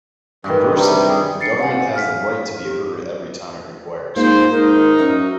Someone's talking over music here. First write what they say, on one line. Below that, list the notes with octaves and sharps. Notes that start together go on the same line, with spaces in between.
Conversely, the Government has the right to be heard every time it requires.
G2 D#3 E3
C3 G3
G#4
A6 C7 C#7
F5 F#5 G#5
F5 F6 B6
G4
G#2 A#3 F4 C5
G#2 D#4 A#4
F#2 F#4 E5